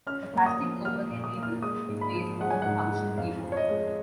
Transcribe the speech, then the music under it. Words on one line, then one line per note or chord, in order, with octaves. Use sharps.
A plastic overlay label could be placed over the function keyboard.
C#4 F6
A#3
D#6
F3
A#3 F6
A#2
D#6
A#3
F6
G#3 D#6
G#2
B5
F3
G#3 F#5
G#5
G#2 F#5
F#5
G#3
F2 F5
F3
C#5
D#5
G#3